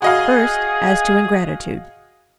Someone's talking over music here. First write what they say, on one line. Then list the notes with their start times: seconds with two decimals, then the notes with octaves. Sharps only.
First, as to ingratitude.
0.02 F#4 G#4 D#5 F5